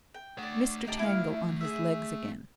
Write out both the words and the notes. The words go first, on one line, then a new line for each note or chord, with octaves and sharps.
Mr. Tangle on his legs again.
G5
A3 C#5 D5 F#5
D#4 G4 A5
E4 F5
G#4 E5